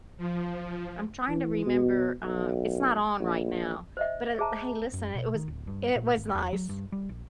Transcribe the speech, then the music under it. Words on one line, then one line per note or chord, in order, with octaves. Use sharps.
I'm trying to remember, uh It's not on right now. But at l Hey, listen, it was i it was nice.
F3
E3
B2
B1
A#1
C5 D#5 E5
G#4 C5 E5 A5 A#5
F#2
B2
D#3
D1
G2
A#2
G#1
E2
F#3
G2
G3
A#1